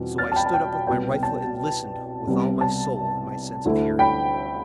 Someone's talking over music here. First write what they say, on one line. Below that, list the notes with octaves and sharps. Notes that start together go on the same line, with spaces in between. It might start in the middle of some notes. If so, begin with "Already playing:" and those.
So I stood up with my rifle and listened, with all my soul in my sense of hearing.
Already playing: E2 B2 G3 C4 F4
F6 A6
A5
G5 B5
A5
G5
C2 B2 G3 B3 G5
A5
C2 C3 G3 B3
A5
D2 D3 A3 E4
G5 B5